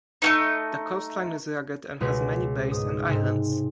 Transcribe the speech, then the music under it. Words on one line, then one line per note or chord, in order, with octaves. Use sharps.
The coastline is rugged and has many bays and islands.
A3 A#3 D#4
C#2 B2 G#4 B4
G#2 D#6
G#2 C3